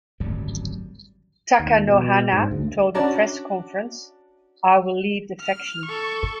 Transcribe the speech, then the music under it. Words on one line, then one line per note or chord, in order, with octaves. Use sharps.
Takanohana told a press conference, I will leave the faction.
D1 G#1 F#2 G3
D#2
B2
G#2
D2
C#4 D4 F#4 D5 A5 A#5
F6
A4 C#6